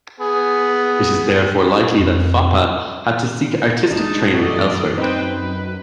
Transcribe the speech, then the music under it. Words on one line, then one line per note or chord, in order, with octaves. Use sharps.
It is therefore likely that Foppa had to seek artistic training elsewhere.
B3 G#4
F2
F1 G#3 D4 D#4 A5
F#2 B2 E3 F#4 A4 D5 D#5
C4 D#4 B4 C5 G5
B4